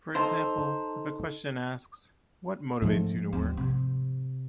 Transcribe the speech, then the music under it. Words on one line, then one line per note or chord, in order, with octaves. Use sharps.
For example, if a question asks, What motivates you to work?
D#4 A4 C5
G#2 F3 A3
D#2 C4
C3